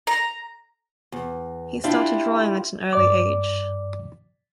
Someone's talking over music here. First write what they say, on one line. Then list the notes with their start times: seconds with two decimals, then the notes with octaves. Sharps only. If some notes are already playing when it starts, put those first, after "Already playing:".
He started drawing at an early age.
0.07 A#5
1.12 E2
1.84 D4 E4 F4 G4
2.93 G2 D5 D6